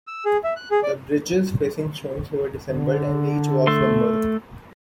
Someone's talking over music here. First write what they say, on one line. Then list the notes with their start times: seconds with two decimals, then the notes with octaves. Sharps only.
The bridge's facing stones were disassembled, and each was numbered.
0.07 E6
0.25 G#4
0.44 E5
0.56 F#6
0.71 G#4
0.83 D5
2.69 D3
3.67 A3 A4 C6